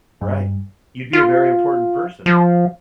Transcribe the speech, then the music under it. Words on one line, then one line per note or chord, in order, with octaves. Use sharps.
Right, you'd be a very important person.
G2
F4
F3